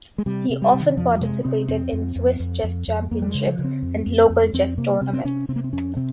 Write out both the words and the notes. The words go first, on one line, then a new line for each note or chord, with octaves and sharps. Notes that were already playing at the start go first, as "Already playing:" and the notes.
He often participated in Swiss Chess Championships and local chess tournaments.
G#3
C3 G3
C3
G3
C3
D#3
F2 F3
G3
C3 G#3
C3 C4
F2 C4
F2
F2
F2
F2
F2
F2 A#3
G3
G#3
C#3
F3
C#3
C4
F2
F2
F2
F2 C4
C3 A#3
C3 C4
C4
C3 C#4
C3 C4
A#3
C4
F2 C#4
C3 C4